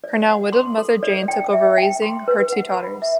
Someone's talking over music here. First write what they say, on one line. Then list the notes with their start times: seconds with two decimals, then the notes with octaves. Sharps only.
Her now widowed mother Jane took over raising her two daughters.
0.04 D5
0.28 F#5
0.53 C6
0.78 A4
1.03 D5
1.28 G5
1.53 E5
1.78 G5
2.02 C6
2.28 B4
2.53 F#5
2.77 B5
3.02 E5